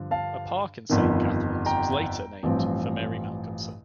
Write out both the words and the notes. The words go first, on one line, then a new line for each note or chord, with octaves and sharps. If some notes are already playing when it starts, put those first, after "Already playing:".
A park in Saint Catharines was later named for Mary Malcolmson.
Already playing: G2 D3 F3
F5 A5
G1 F2 D#3
G5 A#5
A1 G2 F3 C4